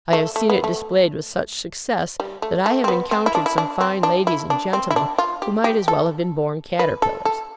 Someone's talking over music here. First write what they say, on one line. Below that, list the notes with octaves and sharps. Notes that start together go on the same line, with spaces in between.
I have seen it displayed with such success, that I have encountered some fine ladies and gentlemen who might as well have been born caterpillars.
A3
A3
B3
A3
G3
A3
A3
C4
B3
C4
E4
D4
E4
D4
C4
D4
E4
D4
C4
E4
D4
F4
G4
G4
A4
B4
A4
A4